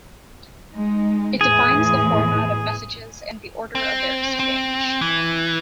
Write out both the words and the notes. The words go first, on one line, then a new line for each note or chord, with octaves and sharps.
It defines the format of messages and the order of their exchange.
G#3 D#4
E2 A2 E3 G#4
C4
C4
E3